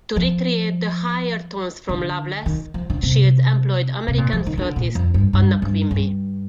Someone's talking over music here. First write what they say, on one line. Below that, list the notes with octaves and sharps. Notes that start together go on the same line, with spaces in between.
To recreate the higher tones from "Loveless", Shields employed American flautist Anna Quimby.
F3
D3
D#3
F3
D3
C3
C3
A#2
F3
D#3
D#3
D3
A#2
F2
G2
G2
G2
G2